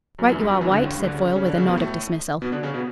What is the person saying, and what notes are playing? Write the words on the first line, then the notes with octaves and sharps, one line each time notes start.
"Right you are, White," said Foyle with a nod of dismissal.
F#2 F#3
E2 E3
G2 G3
F#2 F#3
E2 E3
D2 D3
C#2 C#3
G2
D2 D3
C#3 C#4
C#3 C#4
C#3 C#4
D3 D4
C#3 C#4
B2 B3
A2 A3
B2 B3
D3 D4
C#3 C#4
B2 B3